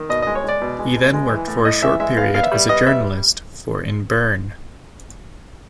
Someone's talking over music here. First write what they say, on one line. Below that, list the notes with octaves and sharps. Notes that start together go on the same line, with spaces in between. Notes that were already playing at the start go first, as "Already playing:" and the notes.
He then worked for a short period as a journalist for in Bern.
Already playing: D#3
B2 D#5
D#5
G#3
C#5
G#3 D5
B2
G#3
B2
G#3
E3
A2
A2 D#5
E3 E5
G#3 E5
B3 F5
B3 F5
E5
G3
B3 D#5
G3 E5